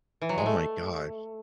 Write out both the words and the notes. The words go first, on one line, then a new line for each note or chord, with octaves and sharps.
Oh my gosh.
E3
F#3
G#3
A3